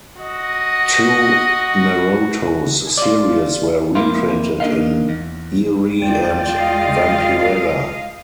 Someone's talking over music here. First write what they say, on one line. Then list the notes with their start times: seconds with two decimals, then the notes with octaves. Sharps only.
Two Maroto's series were reprinted in "Eerie" and "Vampirella".
0.20 F#4 D#5
2.98 F4 D5
3.95 F2 A#3 E4 F4
4.60 A#3 D4 D#4 A#4 D#5 F5
5.09 E2
6.02 E2 G#3 F4 D5 G5
6.57 D#5 F5